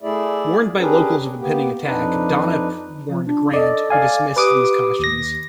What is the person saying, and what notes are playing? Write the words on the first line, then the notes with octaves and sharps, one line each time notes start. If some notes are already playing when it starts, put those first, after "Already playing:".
Warned by locals of impending attack, Donop warned Grant, who dismissed these cautions.
A3 E4 G#4 D5 E5
C#4 D4 G4 G#4 A#4 B4
A#3 B3 G4
F2 D4 D#4 B4
F3
D4
A4 D5 D#5
D5 F5 G#5
G4 B4 D6 D#6
D#2 A#6